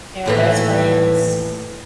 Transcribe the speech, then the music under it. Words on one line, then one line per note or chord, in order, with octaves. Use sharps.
They were best friends.
D#2 A2 E3